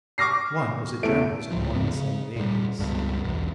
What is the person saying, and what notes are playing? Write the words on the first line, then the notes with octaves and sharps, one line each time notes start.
One was a general's and one some lady's.
C#6 D6 F6 A#6 C7
E2 A3 D7
C#2 G#2 F3
E2 C#3 C4
C#3
A#2 G3
C#2 G2 B2
B1 E2